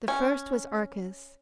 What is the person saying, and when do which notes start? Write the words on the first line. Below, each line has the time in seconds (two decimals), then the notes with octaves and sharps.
The first was Arcas.
0.08 C#4